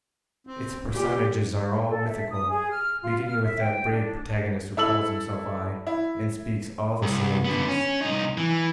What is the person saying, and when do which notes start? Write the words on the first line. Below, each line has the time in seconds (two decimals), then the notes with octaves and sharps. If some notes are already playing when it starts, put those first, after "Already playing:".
Its personages are all mythical, beginning with that brave protagonist who calls himself I and speaks all the soliloquies.
0.47 C4
0.92 A#2 G4
1.88 A4
2.07 E5
2.30 D#6
2.49 G#4
2.71 F6
3.02 F4
3.26 F6
3.43 E5
3.59 G5
3.90 D4
4.77 E4 A4 E6 F#7
5.87 E4
7.02 C2
7.45 D3 B3
7.68 C#4
8.01 C2 D#4
8.38 E3